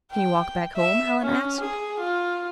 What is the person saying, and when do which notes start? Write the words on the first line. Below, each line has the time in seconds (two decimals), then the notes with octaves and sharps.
"Can you walk back home?" Alan asked.
0.11 G5
0.76 E5
1.21 C#4
1.61 G#4
1.99 F4